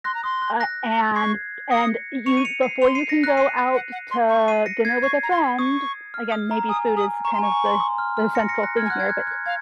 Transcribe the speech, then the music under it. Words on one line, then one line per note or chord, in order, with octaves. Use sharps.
Uh, and and you before you can go out to dinner with a friend, again, maybe food is kind of the the central thing here, but,
C6 F#6 A#6
A#5
C6 D#6
F#6
F#6 A#6
C#6 G#6 C7
D#6 A#6 C#7
C#6 C#7 F7
D#7
C#7 F7
C7 D#7
C6 C#7 F7
C7 D#7
A#6 C#7
F#6 A#6
A#5
G#5 C7 D#7
F#5
F#5
C6
C#6
C7 D#7
A#6 C#7
G#6 C7
C#6 G#6 C7
A#5
C6
C#6 D#6
F6
D#6
A#5
G#5 D#6
G#5
D#6
A#5 C#6
C6
G#5
C#6
G#5
C6
D#6
F6
F6
A#6 C#7
A#6 C#7
F#6 A#6
F6 G#6
G#5
F#5 F#6
G#6
F#6
F6
F#6
F5 G#6